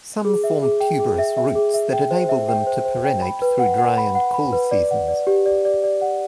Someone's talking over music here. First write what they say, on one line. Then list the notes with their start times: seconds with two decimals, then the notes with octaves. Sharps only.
Some form tuberous roots that enable them to perennate through dry and cool seasons.
0.25 G#4
0.44 E5
0.63 G#4
0.80 G5
1.00 G#4
1.18 E5
1.37 E5
1.55 G#4
1.74 E5
1.93 G5
2.11 C5
2.29 E5
2.49 G5
2.67 C5
2.85 C5
3.04 G5
3.22 B5
3.42 B4
3.59 F#5
3.78 F#5
3.98 B5
4.15 F#5
4.34 B5
4.53 B4
4.71 D5
4.91 F#5
5.08 D5
5.27 G4
5.46 D5
5.65 D5
5.84 D5
6.01 F#5